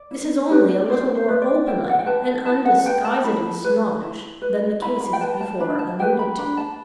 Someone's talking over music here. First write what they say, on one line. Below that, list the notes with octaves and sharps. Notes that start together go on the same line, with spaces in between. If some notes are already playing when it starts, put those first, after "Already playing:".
This is only a little more openly and undisguisedly snobbish than the cases before alluded to.
Already playing: D5
E4
G4 B4
D5
E4 C5
C5
B4
D5
E4 G5
F#5
G5
B4 A5
E4 A5
F#5
B4 G5
A5
E4 B5
B4
E4
B4
E4 B5
B5
G5
B4 A5
A5
D4 B5
A5
G4 B4 G5
B5
D4 B5
A5